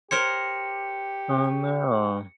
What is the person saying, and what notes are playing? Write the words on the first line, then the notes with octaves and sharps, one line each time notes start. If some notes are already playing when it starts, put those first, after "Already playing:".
Oh, no.
G4 A#4 C5 C#5 C#7